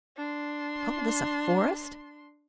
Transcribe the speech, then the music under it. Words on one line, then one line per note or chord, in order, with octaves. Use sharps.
Call this a forest?
D4 C6